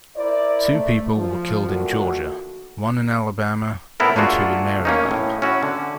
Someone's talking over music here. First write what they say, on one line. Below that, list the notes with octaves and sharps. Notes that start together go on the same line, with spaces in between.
Two people were killed in Georgia, one in Alabama, and two in Maryland.
E4 A#4 C5 D5
A3
F3
A#2 D3 D#3 A3 F#4
A2 B3 E4 A4 A#4
A3 A#3 D4 F4 F#4 G#4
A#3 C#4 D#4
A2
C#4 E4 F#4
D3